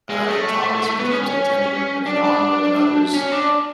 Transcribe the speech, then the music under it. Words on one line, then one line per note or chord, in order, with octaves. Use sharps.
uh, topics or themes I tend to ruminate on more than others,
G#3
A3
B3
C#4
C#4
D4
D4
C#4
D4